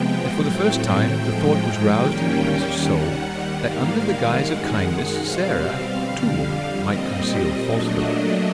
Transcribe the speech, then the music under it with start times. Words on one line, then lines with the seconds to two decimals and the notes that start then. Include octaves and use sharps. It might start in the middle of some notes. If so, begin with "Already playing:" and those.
And for the first time the thought was roused in the prince's soul, that under the guise of kindness Sarah, too, might conceal falsehood.
Already playing: C3 F3 G#3 B3 G5
0.28 A2 F#3 A3 C4
1.09 A2 F3 G#3 G5
1.90 D#2 D#3 G3 A#3 C#4
2.72 D#2 D#3 G3 F#5
3.12 F#5
3.52 G#2 D#3 G3 A#3 F5
3.93 F5
4.33 F#2 D#3 G#3 F#5
5.14 B2 G3 C4 F5
5.96 F2 D3 G3
6.76 A#2 G3 C4 D#5
7.58 A#2 F#3 A3 D4